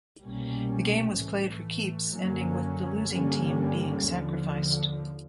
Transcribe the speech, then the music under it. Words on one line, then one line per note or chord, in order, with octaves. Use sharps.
The game was 'played for keeps' ending with the losing team being sacrificed.
C2 B2 G3 A#3 C#4
A2 E3 A3
F#2 D3 F#3 A#3 C#4
G2 D3 G3 A#3 C#4
D#2 D3 F3